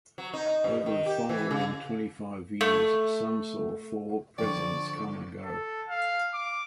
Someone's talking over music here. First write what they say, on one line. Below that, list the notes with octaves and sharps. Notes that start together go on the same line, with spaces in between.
Over the following twenty-five years, Sum saw four Presidents come and go.
F#3
D#4
G2
D#3
G4
E3
C#3
A3
D3 F3 D5 G5 C#6
A4
F5
D6